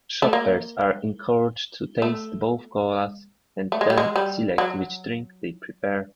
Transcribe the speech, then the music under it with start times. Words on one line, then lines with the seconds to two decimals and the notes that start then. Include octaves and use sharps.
Shoppers are encouraged to taste both colas, and then select which drink they prefer.
0.22 A3
0.33 A#3
2.02 A3
3.72 A3
3.81 G#3
3.90 G3
3.98 G#3
4.16 G3
4.58 F#3